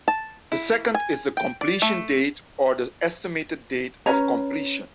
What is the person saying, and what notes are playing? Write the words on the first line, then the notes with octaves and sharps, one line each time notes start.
The second is the completion date or the estimated date of completion.
A5
E4
G#5
G5
D5
A3
C#4 B4 C#5 A#5